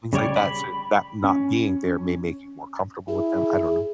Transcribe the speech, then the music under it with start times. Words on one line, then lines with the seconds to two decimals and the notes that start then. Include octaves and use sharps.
things like that, so that not being there may make you more comfortable with them, I don't know.
0.13 C#3 G3 C#5 D5 G5
0.36 B5
1.24 C#4
3.08 E4 G#4